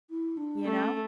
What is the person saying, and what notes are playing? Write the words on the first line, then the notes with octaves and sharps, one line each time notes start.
Ya know?
E4
D4
A3 C#4